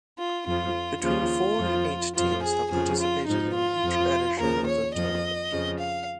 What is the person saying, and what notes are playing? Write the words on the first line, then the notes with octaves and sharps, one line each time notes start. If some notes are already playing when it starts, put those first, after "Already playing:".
Between four and eight teams have participated in each edition of the tournament.
F4
F2 F3 F4
D#2 C#3 F3 F4
F2 F3
F2 F3 F4
G#4
F2 C#3 F3 G#4
F4
G#2 F3 D#4
F4
F2 F3
D#2 C#3 F3 A#4
C#5
F2 F3 D#5
F2 C#3 F3
F5